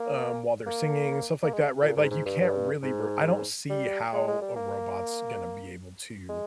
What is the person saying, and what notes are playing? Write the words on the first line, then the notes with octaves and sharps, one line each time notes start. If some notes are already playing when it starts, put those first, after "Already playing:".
um, while they're singing, stuff like that, right? Like, you can't really r I don't see how a robot's gonna be able to
Already playing: A#3
A#3
A#3
G#3
A#2
G#2
G#2
G2
G2
G#2
G3
G#3
G#3
G3
A#3
G#3